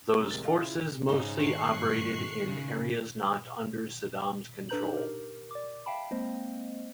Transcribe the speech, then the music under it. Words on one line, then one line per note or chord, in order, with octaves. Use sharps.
Those forces mostly operated in areas not under Saddam's control.
F#2 C3 A#5
A1 C3 G#3 A#4 A6
A4 D#5 F5
C#3 E4 F4
G#2 C#3 D#4 C6
D#3 G#3 A3 C#6 F#6 C7
G2 A#2
C#3
D4 A4 B4 A#5 G6 F#7
D#4 G4
G4 A#4
D5 D6
E5 F5 G5 A5 B5
G#3 A#3 C4 C5 D#5